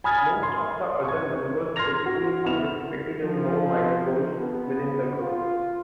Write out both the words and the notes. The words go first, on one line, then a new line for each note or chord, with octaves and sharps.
Most of the other members typically participated in more minor roles within the group.
G#5 B5 D#6 F6 G#6 A6
C6
C#6 G#6
C6 F6 G#6 A#6 F7
F#4
B3 E4 F6 E7 F7
F3
B3
F4